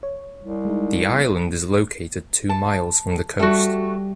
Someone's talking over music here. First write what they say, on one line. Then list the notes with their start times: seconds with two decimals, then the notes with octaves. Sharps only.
The island is located two miles from the coast.
0.03 C#5
0.40 C2
0.65 G#3 D#4
1.11 B3
2.49 A5
3.39 G3 A3 F#4